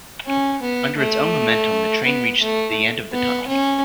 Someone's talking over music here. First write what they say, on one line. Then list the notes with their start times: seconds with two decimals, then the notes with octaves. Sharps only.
Under its own momentum the train reached the end of the tunnel.
0.26 C#4
0.62 B3
0.98 A3
2.05 B3
2.41 A3
3.12 B3
3.48 C#4